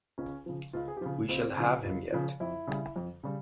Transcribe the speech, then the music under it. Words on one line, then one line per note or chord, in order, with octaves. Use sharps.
We shall have him yet!
C#2 C#4
C#3 F3
C#2 F4
G#4
G4
C#3 F3 F4
C#2 C4
C#3 F3
C#2
C#3 F3
F2 E4
C#3 G3
F2
C#3 G3